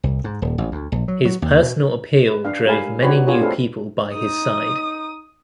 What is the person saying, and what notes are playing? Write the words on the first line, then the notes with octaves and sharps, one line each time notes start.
His personal appeal drove many new people by his side.
C2
G#2
D#1
A1
D2
A#1
F#3
F#3
D#2
B2
B4
D4 F5
G#3 G4 A#4 F5 G#5 B5
D4 D#4 F#4 G4 B4 C#5
D4 F4 G4 G#4 A#4 C#5
A3 C4 D4 A4 B4 F5
D#4 D#6